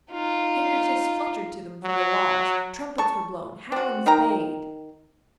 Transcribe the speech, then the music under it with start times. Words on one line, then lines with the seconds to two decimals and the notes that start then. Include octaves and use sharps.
Handkerchiefs fluttered to them from the walls; trumpets were blown; hounds bayed.
0.10 D#4 F4
1.84 F#3
2.98 A5 C#6
3.72 C4 F#4
4.06 D#3 G5 A#5